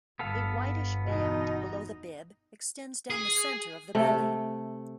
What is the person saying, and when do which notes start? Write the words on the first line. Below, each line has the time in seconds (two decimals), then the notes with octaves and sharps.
A whitish band below the bib extends down the center of the belly.
0.19 G1 B3 A4 F5
1.05 E2 B2 D#4
3.10 G#4
3.95 C3 A3